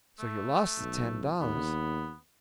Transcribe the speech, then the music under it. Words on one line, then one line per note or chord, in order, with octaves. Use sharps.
"So you lost the ten dollars."
A3
B1
D#2 B3